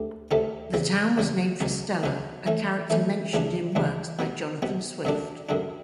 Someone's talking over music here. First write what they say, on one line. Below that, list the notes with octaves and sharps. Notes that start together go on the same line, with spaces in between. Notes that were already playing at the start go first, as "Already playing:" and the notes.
The town was named for Stella, a character mentioned in works by Jonathan Swift.
Already playing: D2 D3 A3 G4
D2 D3 A3 C#4 G4
E2 C#3 G3
E2 C#3 G3
C#2 B2 F#3 C#4
C#2 B2 F#3 C#4
E3 A3 C#4
E3 A3 C#4
C#2 C#3 E3 G3 D4
C#2 C#3 E3 G3 D4
B2 G3 B3
B2 G3 B3
F#2 D3 G3 D4
F#2 D3 G3 D4